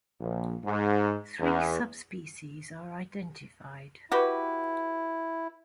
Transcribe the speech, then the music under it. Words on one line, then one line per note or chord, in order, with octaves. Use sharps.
Three subspecies are identified.
A#1
G#2
E2
E4 F#4 G4 B4